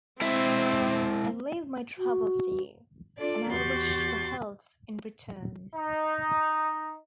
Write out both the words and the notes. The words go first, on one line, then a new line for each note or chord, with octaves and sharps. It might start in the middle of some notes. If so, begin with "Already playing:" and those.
I leave my troubles to you, and I wish for health in return.
G#3 C4 E4 E5
F#4
D4 F4 A4 D5
E2 F#4 G4 C6 A6
D#4